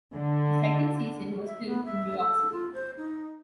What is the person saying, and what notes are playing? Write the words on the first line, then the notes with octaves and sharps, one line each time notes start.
The second season was filmed in New York City.
D3
E5
B3
E5
A4
F4
C5
D#4